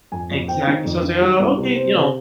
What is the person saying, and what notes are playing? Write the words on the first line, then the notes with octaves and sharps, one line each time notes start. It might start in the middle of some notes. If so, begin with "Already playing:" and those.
Exactly. So I was like, "Oh, okay," you know,
F2 G#5
F2
C4 G5
D#3
F2
D#3
G3
C2
C3
C4
C3